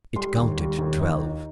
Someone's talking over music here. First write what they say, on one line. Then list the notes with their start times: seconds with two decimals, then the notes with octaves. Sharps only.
It counted twelve.
0.16 G3 C6
0.37 D#2
0.58 G3
0.78 D#2
1.00 D#4
1.20 D#4